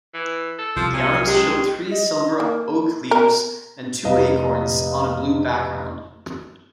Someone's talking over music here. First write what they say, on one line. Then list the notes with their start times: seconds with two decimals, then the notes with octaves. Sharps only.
The arms show three silver oak leaves and two acorns on a blue background.
0.14 E3
0.59 A4
0.76 C2 F3
0.94 A#2 C#4
1.27 C#2 G#3 G4
1.91 D#5
2.40 A#3
3.11 A#4
4.05 F1 B4 D#5 F5